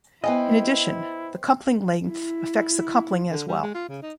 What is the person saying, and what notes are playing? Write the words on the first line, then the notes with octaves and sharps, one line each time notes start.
In addition, the coupling length affects the coupling as well.
B3 E4 B4 C5 D#5 G5 G#5
E4
D3
G3
G#3
F4
C#3
D#4